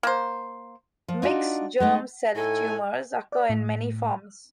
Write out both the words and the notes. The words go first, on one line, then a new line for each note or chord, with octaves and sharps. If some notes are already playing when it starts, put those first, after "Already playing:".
Mixed germ cell tumors occur in many forms.
A#3 C5
F3
D4 D#4 F4 F#4
G#3 A3 D#4
A2 D#4 A4 G#5
D5
A2